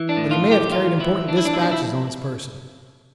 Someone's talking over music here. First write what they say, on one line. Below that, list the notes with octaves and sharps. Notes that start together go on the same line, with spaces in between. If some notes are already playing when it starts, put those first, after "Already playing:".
But he may have carried important dispatches on his person.
Already playing: E3
D4
A2
F4
E3
G4
A2 F4
E3 E4
E3 D4
E4
D4
B2 E4
D4
E4